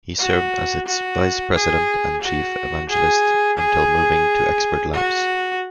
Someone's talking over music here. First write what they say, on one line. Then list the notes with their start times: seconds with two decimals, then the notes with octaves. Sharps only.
He served as its Vice President and Chief Evangelist until moving to Expert Labs.
0.19 F#4
0.86 F#4
1.54 G#4
2.21 F#4
2.90 G#4
3.58 G#4
4.93 F#4